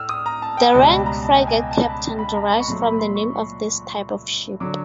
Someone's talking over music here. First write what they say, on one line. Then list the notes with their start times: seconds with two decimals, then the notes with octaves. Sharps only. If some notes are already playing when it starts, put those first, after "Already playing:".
The rank "frigate captain" derives from the name of this type of ship.
Already playing: A2 E6 F6
0.09 D#6
0.26 A#5
0.42 A5
0.57 G5
0.74 C#2 B2 G3 A5
0.90 B5
1.06 A#5
1.23 A5
1.35 G5
1.47 G#5
1.71 A5
1.87 B5
2.19 B5
2.28 A5
2.36 A#5
2.52 B5
2.60 C#6
2.68 A#2 F#3 A3 C6
2.84 B5
2.99 C6
3.15 C#6
4.60 D3 F#3 D6